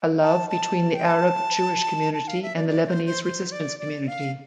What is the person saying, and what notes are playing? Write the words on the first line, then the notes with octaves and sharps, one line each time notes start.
A love between the Arab Jewish community and the Lebanese resistance community.
A5
A5
G5
A5
A5
F5
E5
D5
D5
C5
C5
C5
D5
D5
F5